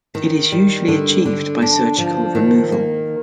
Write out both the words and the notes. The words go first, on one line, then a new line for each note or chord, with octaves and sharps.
It is usually achieved by surgical removal.
D#3
G3
D3
D3
D4
F3
D#3
A#3